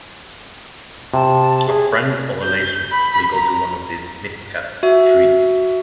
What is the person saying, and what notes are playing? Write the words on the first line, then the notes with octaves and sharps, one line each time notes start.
A friend or relation will go to one of these mist-capped trees.
C3 A5
G#4
G6
B5
A#5
F#4 E5